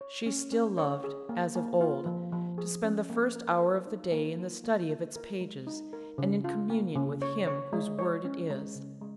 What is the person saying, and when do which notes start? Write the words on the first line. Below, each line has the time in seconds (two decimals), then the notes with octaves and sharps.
She still loved, as of old, to spend the first hour of the day in the study of its pages, and in communion with Him whose word it is.
0.01 C#5
0.26 C#4
0.52 C#4
0.78 C#5
1.04 G#4
1.29 A#3
1.56 A#3
1.81 F4
2.06 F3
2.32 F3
2.58 G#4
2.84 C#4
3.10 A#3
3.36 A#4
3.61 A#4
3.87 D#4
4.12 A#3
4.38 F4
4.64 A#3
4.90 F4
5.16 A#4
5.41 G#3
5.67 D#4
5.93 A#4
6.18 C#3
6.44 F4
6.70 A#3
6.96 C#3
7.22 C#5
7.47 C#5
7.73 G#3
7.99 C#5
8.25 C#4
8.50 G#3
8.75 C#3
9.01 G#3